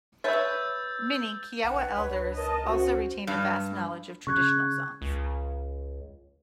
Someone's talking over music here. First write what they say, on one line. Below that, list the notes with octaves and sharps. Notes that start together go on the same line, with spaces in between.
Many Kiowa elders also retain a vast knowledge of traditional songs.
B4 C#5 E5 E6 G6 A6
B1 D4 B4 F#5
C#2 C#5
A#4 D#5 A5
C#4 F#4 C5
G2
C#3 C#6 F#6 G#6
C#2